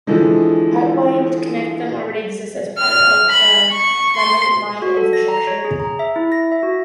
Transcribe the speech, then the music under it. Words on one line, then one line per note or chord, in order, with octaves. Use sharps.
The pipeline to connect them already exists as part of the remnant mine infrastructure.
D3 E3 F3 G#3
F6
B5
C#6
C6
F#4
A4
A#6
A#5
C#5
G#4
A#5
E5
E4
A#6
E5
F#4